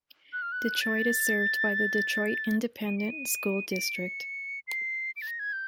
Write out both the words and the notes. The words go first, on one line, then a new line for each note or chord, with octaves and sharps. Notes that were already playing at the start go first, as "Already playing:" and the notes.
Detroit is served by the Detroit Independent School District.
F#6
F6
F#6
A6
D#7
D7
D#7
D7
C#7
C7
D7
A6
A#6
G#6
G6